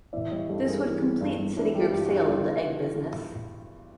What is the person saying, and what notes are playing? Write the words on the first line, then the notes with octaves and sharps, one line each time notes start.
This would complete Citigroup's sale of the Egg business.
E3 D5 E5
G3 C#5 D#5
G2 G4 A4
G2 G#4 A#4
E3 G#4 A#4
G3
G2
G2
E3 D4 E4
G3
F4 G4
G2 G4
F#4 G#4
G2
E3 F4 G4